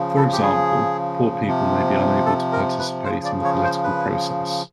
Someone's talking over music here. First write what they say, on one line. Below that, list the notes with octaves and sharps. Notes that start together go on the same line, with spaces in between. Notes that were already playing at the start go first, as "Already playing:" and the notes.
For example, poor people may be unable to participate in the political process.
Already playing: C#3 F3
A4
G4
G#4
C3 F3
A4
A#4
B4
C#3 F3 C5
D5
C#5
C5
B4